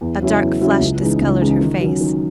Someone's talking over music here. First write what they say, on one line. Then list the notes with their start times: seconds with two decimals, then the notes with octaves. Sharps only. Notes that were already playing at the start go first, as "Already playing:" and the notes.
A dark flush discolored her face.
0.01 E2
0.21 C#3 F#3 C#4 E4
0.41 E2
0.61 C#3 F#3 C#4 E4
0.81 C#2
1.00 C#3 E3 G#3 D#4
1.21 C#2
1.41 C#3 E3 G#3 D#4
1.60 D#3
1.80 F#3 C#4
2.01 D#3